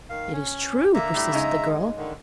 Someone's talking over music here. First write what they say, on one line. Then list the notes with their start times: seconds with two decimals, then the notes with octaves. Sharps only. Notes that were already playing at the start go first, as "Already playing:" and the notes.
'It is true,' persisted the girl.
0.10 D#3 F5
0.33 C#4
0.95 D3 A#3 E5 A#5
1.14 A2 G3
1.32 C#3 G#3 D#4
1.98 D3 D#3